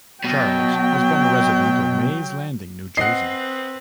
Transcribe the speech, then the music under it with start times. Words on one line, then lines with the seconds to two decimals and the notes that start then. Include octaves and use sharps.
Charles has been a resident of Mays Landing, New Jersey.
0.24 B2 F#3 G5
2.97 C4 B4 D#5 F#5 C7